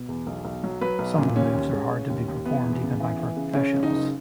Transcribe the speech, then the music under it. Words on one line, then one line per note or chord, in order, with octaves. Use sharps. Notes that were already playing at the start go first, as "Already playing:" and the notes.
Some of the moves are hard to be performed even by professionals.
Already playing: B2
E2
B1
B1
F#3
F#3 B4
B1
A#2
D#2 C#4
D#2
G#3
C#3
D#2
D#2
E3 B3
E2
C#3
E3
E3
C#3
C#3 C#4
C#3
D#4
F#1